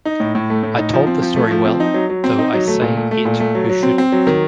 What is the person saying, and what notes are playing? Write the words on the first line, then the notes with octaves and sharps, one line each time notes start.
I told the story well, though I say it who shouldn’t.
D#4
A2
A2
A3
A2
D#4
F3
C4
F3
A3
F3
C4
D#4
F#3
F#3
C4
D#4
F#3
A3
A#2
A3
A3
A#2
A3
F#3
F#3
C4
C4
F#3
D#3